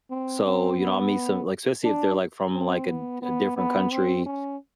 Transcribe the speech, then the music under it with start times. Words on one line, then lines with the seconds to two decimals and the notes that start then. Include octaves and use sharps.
so, you know, I meet some Like, especially if they're, like, from, like, a d a different country,
0.10 C4
0.45 C4
0.80 B3
1.84 D4
2.53 C4
2.88 B3
3.22 B3
3.57 B3
3.91 C4
4.26 C#4